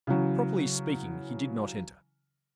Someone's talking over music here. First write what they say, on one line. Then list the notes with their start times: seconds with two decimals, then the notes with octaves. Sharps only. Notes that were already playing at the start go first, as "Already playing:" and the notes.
Properly speaking, he did not enter.
0.07 C#3 E3 F#3